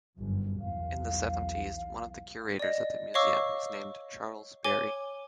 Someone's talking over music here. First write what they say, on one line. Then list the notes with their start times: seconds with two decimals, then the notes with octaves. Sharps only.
In the Seventies, one of the curators at the museum was named Charles Berry.
0.18 G1 F#2
0.60 B1 E2 F5
2.59 D5 D#5
3.14 C#5 D#5 F5 C#6 D6 E6
4.64 C#5 G#5 D6 G7